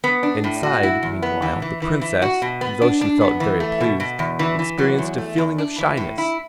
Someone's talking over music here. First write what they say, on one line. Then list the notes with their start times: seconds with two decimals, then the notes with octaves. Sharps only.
Inside, meanwhile, the Princess, though she felt very pleased, experienced a feeling of shyness.
0.04 B3
0.23 D4
0.44 A2
0.63 F#4
0.83 E4
1.03 E2
1.22 B3
1.42 E3
1.62 E3
1.82 E3
2.01 E3
2.22 F#4
2.42 B2
2.61 B3
2.82 D4
3.01 D4
3.21 B3
3.40 E3
3.60 A3
3.81 B2
4.00 B2
4.19 E2
4.39 E3
4.59 E3
4.78 F#3
4.98 E2
5.18 A3
5.38 E2
5.58 D4
5.78 E3
5.97 A2
6.18 E4